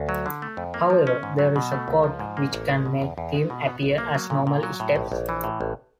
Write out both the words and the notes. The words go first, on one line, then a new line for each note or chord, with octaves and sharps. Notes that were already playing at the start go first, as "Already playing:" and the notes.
However, there is a code which can make them appear as normal steps.
Already playing: D2
F#3
D3
A3
F2
A#3
F3
C#4
G#2
F#3
B2
A3
C#2
F3
G#2
A#3
A1
G#3
B2
E2
E2
G#3
B2
B3
B1
A#3
F#3
A#2
A#2
F#3
A2
A#1
A#1
E3
A2
A1